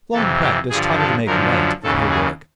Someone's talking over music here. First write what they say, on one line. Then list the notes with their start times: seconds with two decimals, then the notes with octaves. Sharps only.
Long practice taught her to make light of her work.
0.13 F2 C3 E3 A4
0.41 G4
0.69 G2 D3 F3 G#4
0.98 A4
1.26 F#2 D3 F3 A#4
1.83 D#2 C#3 E3 A4
2.10 G#4